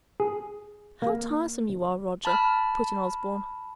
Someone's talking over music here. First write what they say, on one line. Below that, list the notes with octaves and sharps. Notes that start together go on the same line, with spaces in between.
"How tiresome you are, Roger!" put in Osborne.
G#4
A#3
A5 B5 F6